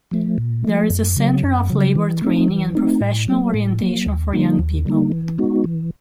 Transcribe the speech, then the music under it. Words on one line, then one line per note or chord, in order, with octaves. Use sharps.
There is a center of labor training and professional orientation for young people.
F3 A3
A#2
F3 A3
F#2
C#3 F#3
F#2
C#3 F#3
E3
A3 C4 D#4
E3
A3 C4 D#4
A2
F#3 A#3
A2
F#3 A#3
D#2
D3 G3 A#3 D#4
D#2
D3 G3 A#3 D#4
E3
G#3 B3 D#4 F#4
E3